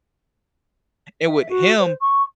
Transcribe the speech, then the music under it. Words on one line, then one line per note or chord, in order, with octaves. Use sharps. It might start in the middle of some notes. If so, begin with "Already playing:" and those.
And with him,
E5
F#4
C5
C#6